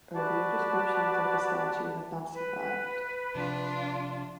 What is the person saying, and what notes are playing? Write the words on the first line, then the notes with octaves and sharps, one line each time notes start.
Earlier descriptions of the statue have not survived.
F#4 G4 B4 D5 A5
B4
C3 F3 D4 F4